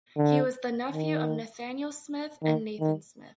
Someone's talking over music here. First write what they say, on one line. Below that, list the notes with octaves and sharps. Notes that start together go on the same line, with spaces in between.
He was the nephew of Nathaniel Smith and Nathan Smith.
D3
D#3
D#3
D#3